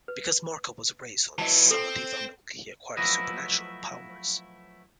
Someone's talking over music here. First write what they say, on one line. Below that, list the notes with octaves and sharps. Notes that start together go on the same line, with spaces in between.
Because Marko was raised on samodiva milk he acquired supernatural powers.
B4
E3 F#3 D#5 A5
C4 A4
F3 F#3 A3 E4 B4 D#5